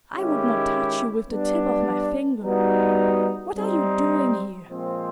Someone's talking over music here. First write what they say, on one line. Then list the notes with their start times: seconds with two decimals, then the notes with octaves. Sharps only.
I would not touch you with the tip of my finger. What are you doing here?
0.15 D#3 G#3 C#4 E4 G4
1.28 G3 B3 D4
2.41 G3 B3 D#4 F#4
3.55 G3 C4 D#4
4.67 A#2 F3 G#3 C4